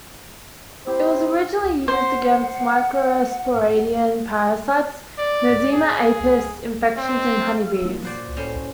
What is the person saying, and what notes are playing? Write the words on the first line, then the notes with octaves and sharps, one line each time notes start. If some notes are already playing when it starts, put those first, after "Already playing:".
It was originally used against microsporidian parasites "Nosema apis" infections in honey bees.
C4 E4 G4 C5
C5 F#5
D5
G#4
C4
D#3 F3 A#3
A#2 F#4 C5 D5 F#6
A2 C#4 C5